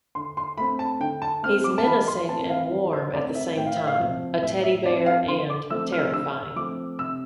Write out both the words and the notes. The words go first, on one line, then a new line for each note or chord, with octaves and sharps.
He's menacing and warm at the same time, a teddy bear and terrifying.
D3 C6
C6
A3 C4 B5
A5
D3 G5
A5
A3 C4 F6
D6
A5
E3 B5
C6
A3 C4 A5
F5
E3
C5
A3 C4 D5
E5
A2 G5
F5
E5
F5
F3 C4
A2 E5
E5
F3 C4 D5
F5
D3 C6
D6
F3 A3 C4 E6
F6
D3 E6
F3 A3 C4 D6
C3 E6